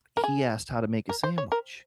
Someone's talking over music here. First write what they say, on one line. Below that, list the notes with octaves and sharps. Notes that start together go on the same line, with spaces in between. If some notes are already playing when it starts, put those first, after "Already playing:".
he asked how to make a sandwich.
A#4
G#4
A#4
C5
C#5
A#4